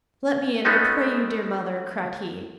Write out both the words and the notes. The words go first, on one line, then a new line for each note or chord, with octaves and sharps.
'Let me in, I pray you, dear mother,' cried he.
G#3 A3 B3 C#4 D#4 F#4